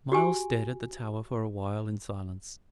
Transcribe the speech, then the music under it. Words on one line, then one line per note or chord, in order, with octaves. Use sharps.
Myles stared at the tower for a while in silence.
F#4 G4 G#5